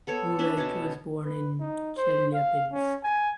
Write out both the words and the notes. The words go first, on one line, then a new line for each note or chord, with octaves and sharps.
Oleg was born in Chelyabinsk.
B3 A4 C#5
C#4 D4 B4 E5
B2 C#4 C#5 A5
B4
D#4
C5
F5
C#4
G#5